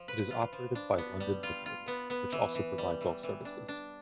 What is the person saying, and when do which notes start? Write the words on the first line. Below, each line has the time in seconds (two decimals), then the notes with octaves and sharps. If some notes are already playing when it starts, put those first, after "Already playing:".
It is operated by London Midland, which also provides all services.
Already playing: F3
0.08 B4
0.31 F4
0.53 F3
0.75 D4
0.98 B3
1.20 G3
1.43 F4
1.66 F4
1.88 B3
2.10 B3
2.32 E3
2.55 E3
2.78 G3
3.01 E3
3.23 E3
3.45 D4
3.68 D4